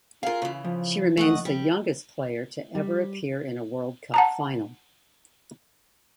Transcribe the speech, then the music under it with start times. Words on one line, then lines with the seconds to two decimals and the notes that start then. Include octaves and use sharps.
She remains the youngest player ever to appear in a World Cup Final.
0.23 F4 G#4 A#4 F5
0.42 C#3 E3
0.64 F3
1.17 A3 D#5 F#5
1.45 G3
2.75 G3
4.14 F#5 A5 A#5